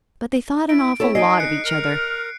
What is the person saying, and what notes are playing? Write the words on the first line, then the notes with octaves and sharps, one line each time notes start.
But they thought an awful lot of each other.
E4 D7
C4 E4 A4 C#5
D#4 D#5 G#5 C7 D7
F#6 C#7
A#4 F6